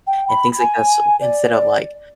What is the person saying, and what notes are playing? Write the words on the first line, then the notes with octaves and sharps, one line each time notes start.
and things like that, so instead of, like
G5
B5
G#5
D5